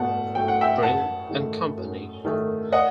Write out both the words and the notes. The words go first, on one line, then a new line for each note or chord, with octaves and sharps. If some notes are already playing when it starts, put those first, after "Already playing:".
Brill and Company.
Already playing: B2 A3 F#5 A5
F#3 A3 G5
F#5
E5 G5
F#2 F#5 A5
D#3 A3
F#2
D#3 A3
D#5 F#5